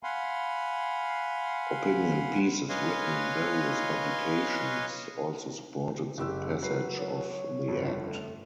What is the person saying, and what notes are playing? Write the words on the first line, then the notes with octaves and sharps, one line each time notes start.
Opinion pieces written in various publications also supported the passage of the Act.
F5 F#5 G#5 B5 C6
B4 C#5 D#5 F5 G#5 C6
F#1 G#3 G4 E6
F#3 B4 C7
C#5
G1 F2
A3